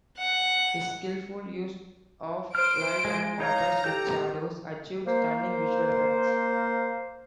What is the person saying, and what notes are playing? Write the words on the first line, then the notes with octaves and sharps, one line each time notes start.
His skilful use of light and contrast with shadows achieved stunning visual effects.
F#5
C5 F6 D7
G#3 G#4
D#4 C#5 F5 A#5
G4 A4 G6
A#3 C5